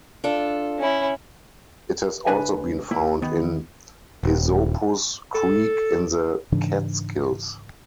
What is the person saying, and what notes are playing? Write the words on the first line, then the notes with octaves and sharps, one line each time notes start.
It has also been found in Esopus Creek in the Catskills.
D4 F4 A4
C#4 E4
C#2 D4 B4 G#5
A#3 E4
D#3 B3
D#1
A4
G#2 C#3 E3 D4